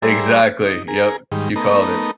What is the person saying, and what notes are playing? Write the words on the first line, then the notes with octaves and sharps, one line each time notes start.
Exactly, yep, you called it.
G3 G#4 A#4 C5 D5 E5
D#4
G#4 A#4
G#2 D#3 G3
A3 B3 D#4 A#4